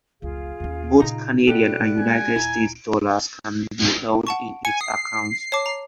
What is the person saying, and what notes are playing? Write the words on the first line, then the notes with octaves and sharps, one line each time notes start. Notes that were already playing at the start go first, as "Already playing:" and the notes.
Both Canadian and United States dollars can be held in its accounts.
F1 C#2 F4 G#4 F5
D#2 C#4
A#2 C#3 D#4 A#5
B2 E4 F#4 G4 A4 D5 F#6
G#3 G#5
D#1 E4 A#5
F#5 A5 C#6
G#5 C#7
D#6 C7
C#5 A5 D6
A#5